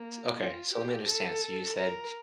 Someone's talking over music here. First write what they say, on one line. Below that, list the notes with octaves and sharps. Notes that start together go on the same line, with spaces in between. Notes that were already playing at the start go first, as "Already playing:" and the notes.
S okay, so let me understand, so you said
Already playing: A#3
F4
G4
A4
A#4